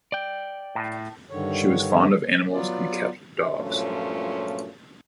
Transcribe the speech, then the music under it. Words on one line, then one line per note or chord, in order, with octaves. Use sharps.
She was fond of animals and kept dogs.
D5 G5
A2
G2 D3 D#3 C#5
F#3 B3 F4 D5
G2 A#2 F3 F#3 A3 C#4